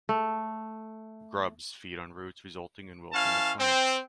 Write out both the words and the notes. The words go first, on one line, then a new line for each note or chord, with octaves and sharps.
Grubs feed on roots resulting in wilting of plants.
A3
E3 C#4 F5 A5
C4